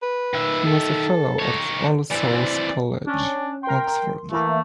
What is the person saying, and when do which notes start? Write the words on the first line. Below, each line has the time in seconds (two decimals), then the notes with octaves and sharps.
He was a fellow at All Souls College, Oxford.
0.02 B4
0.34 D#3 E5
0.66 A4
1.40 D#4 C#5
2.11 E3 C4 D5
3.07 C#4 D4
3.63 A#4 G5 C6
4.31 E3 A3 A#3 E4